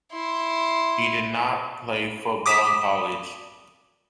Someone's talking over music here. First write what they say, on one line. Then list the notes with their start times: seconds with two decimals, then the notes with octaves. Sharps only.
He did not play football in college.
0.13 E4 C6
2.46 D6 D#6 B6 E7